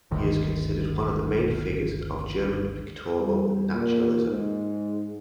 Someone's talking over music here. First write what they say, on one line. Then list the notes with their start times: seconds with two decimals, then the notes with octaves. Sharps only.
He is considered one of the main figures of German pictorial naturalism.
0.11 G1 D2 D#3
3.19 G3
3.74 A#2
4.27 G#2